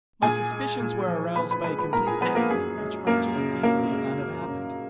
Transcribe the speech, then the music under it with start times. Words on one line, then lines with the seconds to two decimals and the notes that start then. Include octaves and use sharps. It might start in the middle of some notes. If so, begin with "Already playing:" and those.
My suspicions were aroused by a complete accident, which might just as easily not have happened.
0.22 A#2 G#4 G#5
0.51 G#3
0.80 A#2
1.08 F3
1.36 A#2 B4 B5
1.51 B4 B5
1.64 G#3 B4 B5
1.79 B4 B5
1.93 A#2 A#4 A#5
2.07 G#4 G#5
2.21 F3 B3 B4
2.35 A#3 A#4
2.49 F#2 G#4
2.78 G#3
3.07 F#2 A#3 A#4
3.36 C#3
3.63 F#2 A#3 A#4
3.91 G#3
4.21 F#2
4.48 C#3